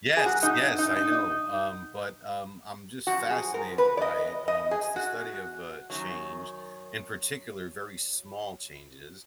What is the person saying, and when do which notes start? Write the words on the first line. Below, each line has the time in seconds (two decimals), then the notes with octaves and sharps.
Yes, yes, I know, um, but, um, I'm just fascinated by it, um, it's the study of, uh, change, in particular, very small changes,
0.17 G#4
0.25 A#2 F#3 F#4
0.43 D#4
0.79 D#4
0.96 D#4
3.07 F#2 F3 F#4
3.31 G#4
3.54 A#4
3.78 B4
3.97 D5
4.02 D#5
4.48 D#5
4.71 G#4
4.96 F#4
5.90 F#2 D#3 F#3